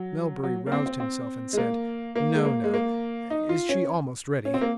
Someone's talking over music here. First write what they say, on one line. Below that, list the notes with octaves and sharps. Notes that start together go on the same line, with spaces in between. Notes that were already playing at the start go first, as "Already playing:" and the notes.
Melbury roused himself and said, "No, no. Is she almost ready?"
Already playing: F#3
F#3
A#3
C4
C4
C4
G#3
A#3
A#3
G#3
A#3
G#3
A#3
D#4
F4
C#4
C#4
C4
A#3